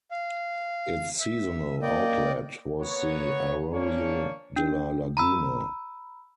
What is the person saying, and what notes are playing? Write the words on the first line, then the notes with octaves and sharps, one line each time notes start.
Its seasonal outlet was the Arroyo de la Laguna.
F5
E5
A#3 D5 D#5 G5
A#3 B3 F#4 B4 C#5
F3 A#3 C#4 D4 C#5
D4
A#5 B5 E6